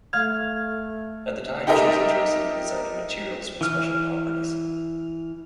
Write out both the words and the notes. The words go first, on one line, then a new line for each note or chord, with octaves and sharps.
At the time she was interested in designing materials with special properties.
A3 F5 F6 G#6
D#4 G4 A4 A#4 D#5 E5
E3 F6